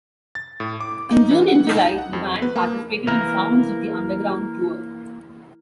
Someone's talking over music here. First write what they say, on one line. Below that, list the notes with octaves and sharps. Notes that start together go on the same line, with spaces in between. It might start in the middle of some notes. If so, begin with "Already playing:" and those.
In June and July, the band participated in the Sounds of the Underground tour.
A6
A2
D6
D#4
E3
F#5
D#4
F#5
F2
B4
A#3
E3 A#3 A#4